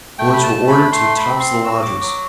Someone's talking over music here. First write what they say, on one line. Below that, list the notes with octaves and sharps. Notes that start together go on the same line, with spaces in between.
The boys were ordered to the tops of the lodges.
A3 G5
B5
A5
A3
B5
A3 C6
B5
C4
C6
F#4 E6
D6
F#3 D6